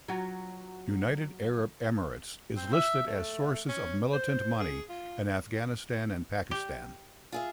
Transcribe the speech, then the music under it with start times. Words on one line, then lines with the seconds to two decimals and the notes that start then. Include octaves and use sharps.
United Arab Emirates is listed as sources of militant money in Afghanistan and Pakistan.
0.08 F#3 F4 F#4
2.56 C4
2.73 E5
3.07 A3
3.68 C#4
4.13 C5
4.60 G#4
4.89 F4
6.51 G4
7.32 F4 G#4 E5